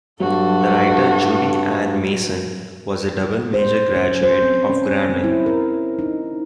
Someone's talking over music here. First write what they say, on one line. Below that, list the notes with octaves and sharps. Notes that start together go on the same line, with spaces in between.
The writer Judi Ann Mason was a double major graduate of Grambling.
G2 F#3 F#4 A4
C5
C#4
C5
C4
C#4
C4
E4
A#4
D#4